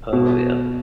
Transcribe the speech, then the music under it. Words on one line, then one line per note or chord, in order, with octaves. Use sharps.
Oh, yeah.
B2